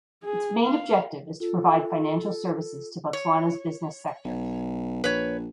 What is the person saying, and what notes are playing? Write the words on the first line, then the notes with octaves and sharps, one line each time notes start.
Its main objective is to provide financial services to Botswana’s business sector.
G#4
F5
F4 A4
C#5
B1
A#1 B4 C#5